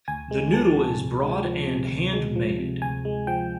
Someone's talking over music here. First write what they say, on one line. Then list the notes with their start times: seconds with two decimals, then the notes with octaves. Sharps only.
The noodle is broad and hand-made.
0.08 D2 G#5
0.31 G#3
0.54 F3 A5
0.76 C3
0.99 D2
1.22 G#3
1.45 F3
1.67 C3
1.91 D2
2.13 G#3
2.36 F3
2.59 C3
2.82 D2 G#5
3.05 G#3
3.27 F3 G5